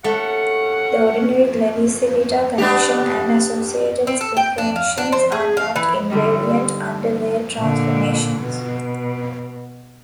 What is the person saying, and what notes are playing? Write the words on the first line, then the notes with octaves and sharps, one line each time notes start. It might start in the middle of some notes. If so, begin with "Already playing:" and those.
The ordinary Levi-Civita connection and associated spin connections are not invariant under Weyl transformations.
D#2 A3 C#4 F#5
B3 D4 G4
C4
A4
G5
D4
F5
D4
C5
G#4
F5
E3
D3 G3 D#4
A#2 D3
B2